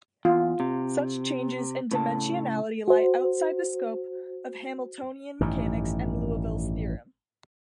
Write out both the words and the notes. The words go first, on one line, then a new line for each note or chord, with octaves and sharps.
Such changes in dimensionality lie outside the scope of Hamiltonian mechanics and Liouville's theorem.
E2 F4
C3
A2 C#3 A5
F#4 C5
A1 G2 D#3